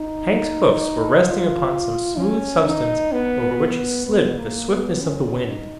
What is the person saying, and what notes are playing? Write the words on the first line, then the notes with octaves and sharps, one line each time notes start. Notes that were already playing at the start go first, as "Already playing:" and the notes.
Hank's hoofs were resting upon some smooth substance over which he slid with the swiftness of the wind.
Already playing: D#4
F4
C#4
D#4
B3
B3
A#3
B3
C#4
D#4